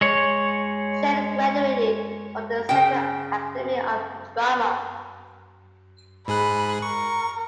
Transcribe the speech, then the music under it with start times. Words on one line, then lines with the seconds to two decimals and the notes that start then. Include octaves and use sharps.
Chen graduated from the Central Academy of Drama.
0.01 G#3 C#5
2.69 C#3 G5
6.28 G#2 G#4 B5 F#6
6.82 A#4 C#6